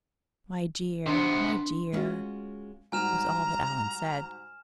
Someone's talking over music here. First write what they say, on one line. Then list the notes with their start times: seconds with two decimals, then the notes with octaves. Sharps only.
"My dear, my dear!" was all that Allan said.
1.06 C3 B3 D4 C6
1.92 G#3 B3 C#4 F4 F#4
2.92 G#2 G3 F#4 G#5 A#5 F6 E7